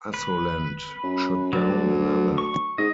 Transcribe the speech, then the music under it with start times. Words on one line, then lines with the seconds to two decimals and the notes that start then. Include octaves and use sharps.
Assolent shot down another.
0.14 B4
1.03 F#2
1.53 D2 F#3 D5
2.38 C#6
2.78 G#2 D#5